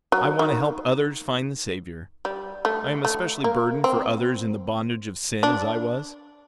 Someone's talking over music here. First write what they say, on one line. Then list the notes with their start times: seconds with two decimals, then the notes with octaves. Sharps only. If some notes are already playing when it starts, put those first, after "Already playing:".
I want to help others find the Savior. I am especially burdened for others in the bondage of sin as I was.
0.12 F#3
0.39 D#3
2.25 G3
2.65 A3
3.05 A3
3.44 A#3
3.84 C4
5.43 D4